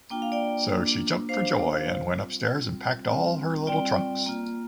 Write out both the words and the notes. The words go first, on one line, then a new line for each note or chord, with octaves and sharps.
So she jumped for joy; and went upstairs and packed all her little trunks.
A#3 D4 F4 G5
F5
D5 G5
A#3 D4 F4
A#3 D4 F4 C5 F5
G3 C4 F4
G3 C4 F4
G3 C4 F4
G3 C4 F4 D5 G5
A#3 F4